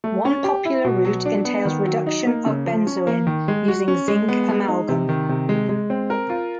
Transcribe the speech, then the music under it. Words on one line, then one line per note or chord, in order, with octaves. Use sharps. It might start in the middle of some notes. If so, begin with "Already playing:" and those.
One popular route entails reduction of benzoin using zinc amalgam.
A3
C#4
G4
E4
B2
F#3
D4
B3
D#3
F#3
D#4
A#3
C#3
F3
C#4
A#3
D#3
G#3
F#4
C#4
G#3
B3
G#3
D#4
C3
D#3
C3
G#3
G#3
C4
A#4
F4